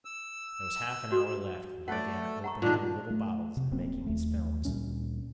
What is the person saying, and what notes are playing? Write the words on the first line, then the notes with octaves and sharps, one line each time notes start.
There was half an hour left when he began opening the little bottles and making his films.
E6
F#4 A4
A3 A4 B4 D5 F#5
F#5 A#5 C#6
A#2 D#3 D4
A3
C3
D1 A#3 C4 C#4
D#2 A3
D2 A#2 G3 C#4